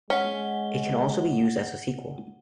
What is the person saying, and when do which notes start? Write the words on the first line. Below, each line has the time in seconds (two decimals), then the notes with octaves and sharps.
It can also be used as a sequel.
0.10 G#3 C#4 F#5 G7